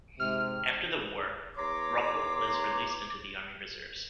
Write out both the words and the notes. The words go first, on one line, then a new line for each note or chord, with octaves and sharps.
After the war, Ruppelt was released into the Army reserves.
G#2 C3 F6
E2 C#5 A#5 C6 D6